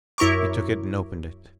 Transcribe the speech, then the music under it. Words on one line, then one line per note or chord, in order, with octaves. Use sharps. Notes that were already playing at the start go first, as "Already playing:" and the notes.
He took it and opened it.
F#2 E4 A#4 C#6 D6